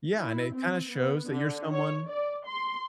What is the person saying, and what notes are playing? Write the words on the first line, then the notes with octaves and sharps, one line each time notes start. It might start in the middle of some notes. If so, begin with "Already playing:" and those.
Yeah, and it kinda shows that you're someone
E4
C4
B3
D3
C#5
D5
C6